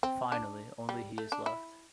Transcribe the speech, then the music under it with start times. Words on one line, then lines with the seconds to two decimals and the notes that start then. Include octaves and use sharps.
Finally, only he is left.
0.03 C4
0.32 D4
0.89 G3
1.18 A3
1.32 D4
1.46 E4